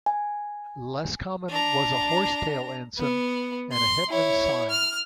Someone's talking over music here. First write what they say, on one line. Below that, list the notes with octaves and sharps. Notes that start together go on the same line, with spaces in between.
Less common was a horse-tail ensign and hetman's sign.
G#5
D4 A#5
B3
C6
E4 C#5
F6